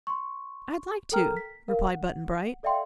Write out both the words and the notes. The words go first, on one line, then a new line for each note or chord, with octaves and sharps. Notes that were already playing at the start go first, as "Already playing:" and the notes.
"I'd like to," replied Button-Bright.
C6 C#6
A4 A#4 G5 A#5 F6
B6
A#4 F5
F#5
A4 D5 E5 F5 G5 C6